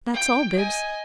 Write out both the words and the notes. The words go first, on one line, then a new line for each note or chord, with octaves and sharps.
That's all, Bibbs.
G5
D#5 G#5